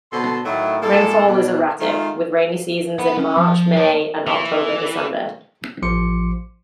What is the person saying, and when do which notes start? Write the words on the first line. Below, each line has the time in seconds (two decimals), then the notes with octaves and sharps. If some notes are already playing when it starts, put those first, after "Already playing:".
Rainfall is erratic, with rainy seasons in March-May and October-December.
0.13 B2 D3 A4 C5 A5 C6
0.45 A2 D#3 F#3 A3
0.82 A2 G#3 A#3 A4
1.27 B2 D4
1.80 D#3 G#3 A3 F4
2.99 F#5 B5
3.18 C#4
3.37 F3
3.77 C#5 A5
4.27 E3
5.82 A1 F3 C6 D6 C#7